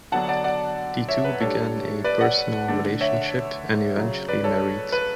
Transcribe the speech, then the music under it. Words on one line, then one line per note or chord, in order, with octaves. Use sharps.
The two began a personal relationship and eventually married.
D3 F#3 B3 D4 F#5 A5
D5 F#5
D5 F#5
C#5 E5
B4
A2 G3 D4 A4 C#5
B4 D5
D5 F#5
D3 A3 D4
C#5 E5
C#3 F#3 C#4
B4 D5
A4 C#5
B4